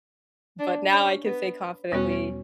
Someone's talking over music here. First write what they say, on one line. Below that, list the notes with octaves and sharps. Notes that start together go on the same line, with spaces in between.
but now I can say confidently
D4
C#4
B3
E2 B2 G3 B3 C#4 F#4